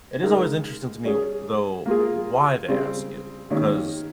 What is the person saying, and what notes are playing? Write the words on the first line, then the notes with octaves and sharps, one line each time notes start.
It is always interesting to me, though, why they ask it, 'cause
C#3 G#3 D#4 A#4
G3 C#4 G#4
A#3 F4 G#4
C#3 G3 C4
D#3 A#3 C#4 G4